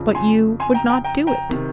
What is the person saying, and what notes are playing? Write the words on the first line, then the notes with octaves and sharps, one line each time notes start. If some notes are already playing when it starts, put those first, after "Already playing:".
But you would not do it.
Already playing: F2 C#3 F3
G#5 C6
G#5 C6
G5 A#5
G5 A#5
G5 A#5
G5 A#5
C3 D#3